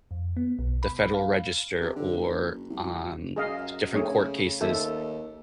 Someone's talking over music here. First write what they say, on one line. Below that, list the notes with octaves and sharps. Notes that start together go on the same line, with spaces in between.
the Federal Register, or, um, different court cases
F2
B3
B1
B5
F5
C3
D3
F#1
C2
F#2 G#4 D#5 F5
F1 A3 G#4 C#5
C#3
D#2 A4 E5